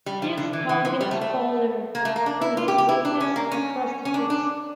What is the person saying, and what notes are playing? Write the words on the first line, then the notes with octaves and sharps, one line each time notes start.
Pierce targets Fowler through his weakness for prostitutes.
G3
F3
D3
E3
E3
F3
G3
A3
A3
A#3
A3
A#3
D4
E4
F4
G4
G4
E4
D4
C#4
A#3
C#4
C#4
D4
D4